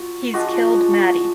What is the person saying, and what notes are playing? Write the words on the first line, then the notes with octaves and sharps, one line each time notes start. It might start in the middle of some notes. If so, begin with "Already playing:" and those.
He's killed Maddie.
Already playing: F#3 F4
F3 G#3 D4 F4 F#4